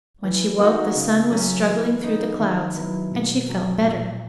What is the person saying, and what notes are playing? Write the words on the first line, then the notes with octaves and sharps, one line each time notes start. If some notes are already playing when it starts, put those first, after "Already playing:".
When she woke the sun was struggling through the clouds, and she felt better.
E3
A#3 D#4 F#4
C#3
F#3 C#4
E3
B3 D#4
D#3
F#3 B3 E4
B2
F#3 C#4
A#2